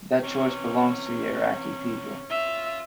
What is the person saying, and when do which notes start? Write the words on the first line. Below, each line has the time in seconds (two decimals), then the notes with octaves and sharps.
That choice belongs to the Iraqi people.
0.22 C3 E3 C#4
2.30 F4 E5